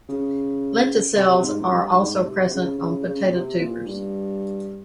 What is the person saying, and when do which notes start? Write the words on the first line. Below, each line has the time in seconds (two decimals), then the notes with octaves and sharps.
Lenticels are also present on potato tubers.
0.09 C#3
1.16 C3
1.44 G#2
1.60 F2
1.71 G2
1.89 G2
1.98 G#2
2.25 C3
2.52 C#3
2.78 C#3
3.05 C#3
3.23 A#2
3.32 C3
3.60 A#2
3.86 G2